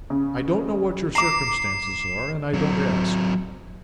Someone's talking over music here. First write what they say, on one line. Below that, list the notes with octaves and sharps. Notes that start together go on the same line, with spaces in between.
I don't know what your circumstances are, and I don't ask.
C#3
A#5 D6 C7 E7
F#3 C4